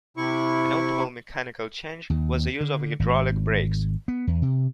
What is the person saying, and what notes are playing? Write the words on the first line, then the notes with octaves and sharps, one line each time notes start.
A notable mechanical change was the use of hydraulic brakes.
C3 E4 C#6
D#2
D3
G#1
B3
E2
C3